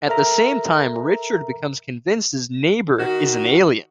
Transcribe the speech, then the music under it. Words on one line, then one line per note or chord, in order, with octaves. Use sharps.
At the same time, Richard becomes convinced his neighbour is an alien.
A4 A#4 E5 A#5
D#3 F#4